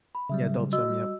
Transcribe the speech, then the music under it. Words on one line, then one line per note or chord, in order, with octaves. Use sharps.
Yeah, Adult Swim, yep.
B5
C#3 F#3 G3 E5
F#4 D#5 E6
G3